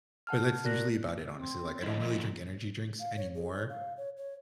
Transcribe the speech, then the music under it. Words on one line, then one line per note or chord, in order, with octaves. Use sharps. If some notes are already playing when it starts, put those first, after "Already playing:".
but that's usually about it, honestly. Like, I don't really drink energy drinks anymore.
F#5 A5 F6
F#4 A#4 D5 F#6 A#6
C4
D3 F3 E4 D#5
F3 A3 A#3
F5
C#5
G#4
C#5
F5
C#5
C#5